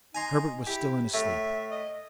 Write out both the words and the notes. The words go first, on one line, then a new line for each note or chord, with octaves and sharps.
Herbert was still in a sleep.
D#4 G#5 A#5 C6
E4 G4
A2 E5
D#5